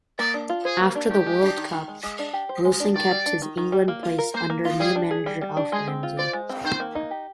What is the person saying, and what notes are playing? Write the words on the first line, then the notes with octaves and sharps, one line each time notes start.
After the World Cup, Wilson kept his England place under new manager Alf Ramsey.
A#3 D5
D4
F4
G#4 C5
A#3
D4
D#3 G4
G#3
D4
D#3
D#3
G#3
G#3
D4
G4
C5
G#3
D4
D#3 D5
G3
D4
D#3
D#3
G3
A#3
F4
A#4
A#3 C5
A#3
F4
G3 G#4
D4
G#4
G3
G3
D4
G#3 G#4
C4
F4
C5 D5
G#3
C4
D#3 C5
A#3
D#4
G4